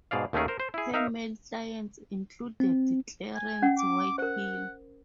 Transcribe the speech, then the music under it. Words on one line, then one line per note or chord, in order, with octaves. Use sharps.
Her male clients included Clarence Whitehill.
G#2 B2 G#4 D5 F5
D#2 D#3 A3 C#4 G#4 A#4
A#4 C5
C5
E4 G#4
D#4 A#4 E5 F5
C4
G#5
C#4 F#5
D6
A#4 C5 F#5